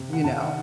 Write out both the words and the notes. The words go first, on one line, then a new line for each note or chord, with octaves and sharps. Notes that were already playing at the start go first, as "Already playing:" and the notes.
you know
Already playing: C3
D#3 F#5
C3 A5
D#3 F#5